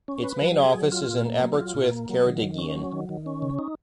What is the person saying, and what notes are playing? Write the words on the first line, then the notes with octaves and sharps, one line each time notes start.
Its main office is in Aberystwyth, Ceredigion.
C#4
B4
F#3
G#4
F#3
F4
A#2
A#3
F#3
F4
A#2
A#3
F#3
D#3
D#3
C#4
F#3
D#3
D#3
C#4
C#3
D#4